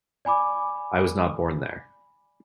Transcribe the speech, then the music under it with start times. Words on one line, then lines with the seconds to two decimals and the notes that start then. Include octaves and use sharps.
I was not born there...
0.25 D5 G#5 B5 D6